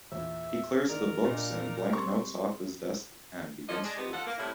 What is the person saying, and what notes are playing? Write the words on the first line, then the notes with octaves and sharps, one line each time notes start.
He clears the books and blank notes off his desk and begins to watch.
E2 A#2 E5
D#3 A#3 A#4 D5
A#2 D4 D5 D#5
G3 G#3 C4 C6 C#6
E2 F3 A#3 A4 C#5 D#5
G#3 D4 G#4
C3 B3 D#4
F3 A4 F#5
A#3
A2 C3 G3 C#4 E4